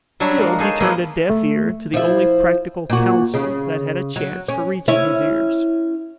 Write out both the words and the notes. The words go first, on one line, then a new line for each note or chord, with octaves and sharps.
Still he turned a deaf ear to the only practical counsel that had a chance for reaching his ears.
F#3 G3 D4 C#5 E5
G#3 A#3
D#4 G#4 A4 C5 C#5
F3 A#3 B3 E4 D#5
A3
F3 E4
A#2 F#4
C#3
F#3
C#4
C#4 E4 C#5